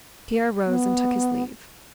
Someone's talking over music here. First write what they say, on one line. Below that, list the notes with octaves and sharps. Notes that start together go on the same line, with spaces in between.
Pierre rose and took his leave.
B3